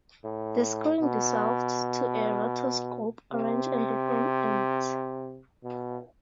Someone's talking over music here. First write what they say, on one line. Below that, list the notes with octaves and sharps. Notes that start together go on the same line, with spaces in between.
The screen dissolves to a rotoscope orange and the film ends.
A2
B2
C3
B2